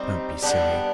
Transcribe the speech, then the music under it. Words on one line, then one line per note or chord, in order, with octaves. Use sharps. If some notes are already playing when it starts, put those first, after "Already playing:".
Don't be silly.
Already playing: G3 C4 D#4
G3 B3 D4 G4